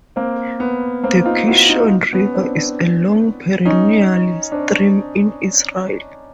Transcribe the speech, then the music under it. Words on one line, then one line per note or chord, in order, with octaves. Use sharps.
The Kishon River is a -long perennial stream in Israel.
A#3 C4
B3
A#3 C4
D#4 F4
E4 F#4
D#4 F4
B3 C#4
C4 D4
C4 D4
C#4 D#4
C4 D4